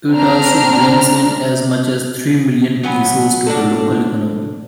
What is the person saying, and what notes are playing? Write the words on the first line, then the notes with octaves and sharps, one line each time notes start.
It also brings in as much as three million pesos to the local economy.
C4 D4 A#5 F6
F#3 B3 G#5
D4 F#4 A4